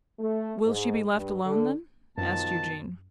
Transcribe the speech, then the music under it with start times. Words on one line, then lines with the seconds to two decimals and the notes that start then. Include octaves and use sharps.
'Will she be left alone then?' asked Eugene.
0.19 A3
0.65 G#2
1.14 G2
1.46 D3
2.18 F#2 B2 D#3 F3 A5